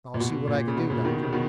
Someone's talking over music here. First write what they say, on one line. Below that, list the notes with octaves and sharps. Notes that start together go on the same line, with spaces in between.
"I'll see what I can do, Doctor."
A#2
B2
A#2
C#3
B2
A#2 C#3
B2 D#3
C#3
B2 D#3